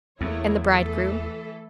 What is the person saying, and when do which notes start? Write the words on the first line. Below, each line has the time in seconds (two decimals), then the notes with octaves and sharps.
"And the bridegroom?"
0.21 E2 A3 A#3 E4 C#5
0.63 E3 A3 A4